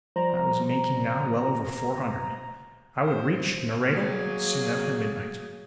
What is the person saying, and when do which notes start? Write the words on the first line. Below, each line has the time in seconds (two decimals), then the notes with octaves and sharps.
I was making now well over four hundred; I would reach Nareda soon after midnight.
0.16 F3 G3 C5 D5 A#5
3.03 C5
3.89 F#3 A#3 G#4